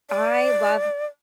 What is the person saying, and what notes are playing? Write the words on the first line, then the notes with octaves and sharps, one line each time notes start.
I love
D5